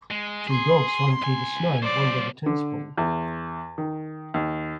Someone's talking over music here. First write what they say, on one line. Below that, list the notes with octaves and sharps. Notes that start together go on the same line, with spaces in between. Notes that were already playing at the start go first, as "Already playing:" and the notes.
Two dogs run through the snow, one with a tennis ball.
G#3
G#4 C6
C#2 G#5
F#3 C5 D5
D3
E2
D#3
D#2